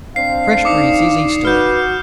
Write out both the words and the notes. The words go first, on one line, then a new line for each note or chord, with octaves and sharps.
Fresh breezes easterly.
C4 D4 F5 C7
D#4 D5 D6 D#6 C#7
F#4 B4 F6 G6